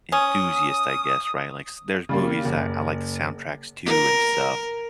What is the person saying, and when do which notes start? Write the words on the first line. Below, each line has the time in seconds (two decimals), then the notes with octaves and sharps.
enthusiast, I guess, right, like s there's movies that I like the soundtracks too and stuff,
0.12 C#4 D#6
2.09 C#3 G3 A#3
2.45 F#1
3.86 A#4